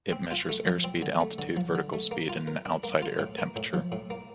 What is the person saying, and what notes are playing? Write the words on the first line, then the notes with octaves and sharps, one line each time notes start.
It measures airspeed, altitude, vertical speed, and outside air temperature.
C4
F4
A3
F3
C4
D3
A3
D3
F3
D3
A3
A#3
F4
A#4
D4
A#3
F4
A2
A#3
A2
F3
A2
A#3